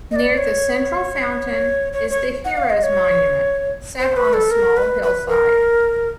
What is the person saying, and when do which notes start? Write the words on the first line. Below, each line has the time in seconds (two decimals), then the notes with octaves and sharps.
Near the central fountain is the Heroes Monument, set on a small hillside.
0.11 D#5
0.16 D5
0.38 C#5
1.93 C#5
2.10 C#5
2.45 F#5
2.57 F5
2.70 D#5
2.83 C#5
3.99 C5
4.17 B4
4.33 A4
4.51 A#4
4.77 B4
5.03 B4
5.28 A#4